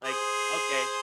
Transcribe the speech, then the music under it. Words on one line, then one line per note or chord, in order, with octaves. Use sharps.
like, okay.
G#4 C5